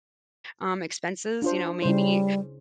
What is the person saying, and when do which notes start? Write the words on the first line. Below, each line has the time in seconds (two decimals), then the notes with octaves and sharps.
um, expenses, you know, maybe,
1.42 D4 F4 C5
1.82 C#3 G3 E4 C5